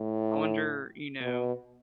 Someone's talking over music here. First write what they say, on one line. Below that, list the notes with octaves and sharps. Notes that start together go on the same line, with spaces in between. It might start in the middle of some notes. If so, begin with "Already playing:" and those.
I wonder, you know
Already playing: A2
B2